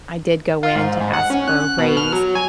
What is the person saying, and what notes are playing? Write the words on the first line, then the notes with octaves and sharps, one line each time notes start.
I did go in to ask for a raise,
F4
G#2
G#2
F#5
C#4
F#6
F#6
B2
F6
F#3
G#5